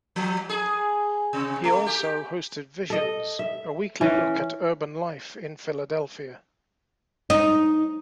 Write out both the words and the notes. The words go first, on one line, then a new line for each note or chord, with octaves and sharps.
He also hosted "Visions", a weekly look at urban life in Philadelphia.
F3
G#4
C3
A3
G4
A4 D#5
E5
E3 C#4
D#4